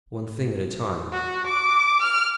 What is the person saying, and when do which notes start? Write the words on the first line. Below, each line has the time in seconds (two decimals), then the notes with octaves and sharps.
One thing at a time.
1.12 F#4
1.47 D6
2.02 F6